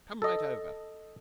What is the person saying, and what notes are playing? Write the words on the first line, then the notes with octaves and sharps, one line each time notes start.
Come right over.
A4 D#5